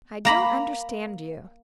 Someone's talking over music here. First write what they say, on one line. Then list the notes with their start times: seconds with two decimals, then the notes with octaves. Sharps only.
"I don't understand you."
0.25 A#3 A#5 B5